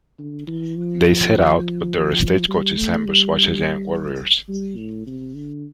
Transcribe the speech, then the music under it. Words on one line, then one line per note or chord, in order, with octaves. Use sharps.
They set out, but their stagecoach is ambushed by Cheyenne warriors.
D3
E3
F3
G3
A3
G3
G3
A2
C3
D3